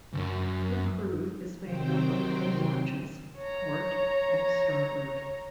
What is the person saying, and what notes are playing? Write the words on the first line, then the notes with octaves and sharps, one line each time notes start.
Her crew is made up of two watches, "Port" and "Starboard".
C#2 F#2
C3 D#3 F#3 C4 C5 G5
C#5 A#5